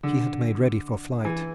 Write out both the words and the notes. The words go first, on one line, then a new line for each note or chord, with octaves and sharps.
He had made ready for flight.
D3
E3